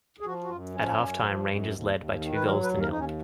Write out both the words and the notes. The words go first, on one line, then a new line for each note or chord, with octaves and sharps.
At half-time Rangers led by two goals to nil.
G#4
F3 F#4
F#4
F#2 F4
F3 C#4
F#2
F3
F#2
D#2
D#2
D#3
B4
F#3 A#4
B4
D#2
A#4
D#2 D#4
C#4